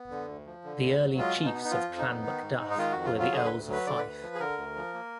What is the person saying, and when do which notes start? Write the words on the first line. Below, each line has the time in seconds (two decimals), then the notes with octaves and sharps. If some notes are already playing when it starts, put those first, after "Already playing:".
The early chiefs of Clan MacDuff were the Earls of Fife.
Already playing: B3
0.10 D3
0.28 D2
0.46 F3
0.64 D3
0.82 D2
1.00 F#3
1.18 G#3 F4
1.36 B2
1.45 D#4
1.54 B3
1.64 D#4
1.71 F3 F4
1.89 F2
1.98 D#4
2.07 B3
2.26 D#3
2.42 G#2
2.61 G#3
2.70 D#4
2.78 D#3 F4
2.92 F2 F#4
3.05 F4
3.14 F#3
3.19 F4
3.32 D3 G#4
3.46 D2 B4
3.69 F#3 B4
3.87 D3 D5
3.99 D2 B4
4.23 F3
4.35 G#4
4.40 D3 A#4
4.58 D2
4.76 F3
4.94 A#3